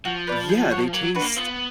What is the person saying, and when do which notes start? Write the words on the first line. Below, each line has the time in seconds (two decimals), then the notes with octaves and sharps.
Yeah, they taste
0.05 F3 F#4
0.27 B4 D5 F5
0.49 G#4
0.71 C#5 F#5
0.93 F#3 A#3
1.15 D4 F#4 B4
1.22 A#3
1.36 B3 F4